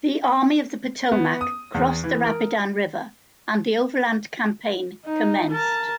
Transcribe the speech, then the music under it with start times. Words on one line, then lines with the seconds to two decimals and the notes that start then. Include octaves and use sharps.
The Army of the Potomac crossed the Rapidan River and the Overland Campaign commenced.
1.12 B3
1.41 D#6
1.74 E2
2.04 E3
2.25 A#4
5.05 D#4
5.52 A#4 A5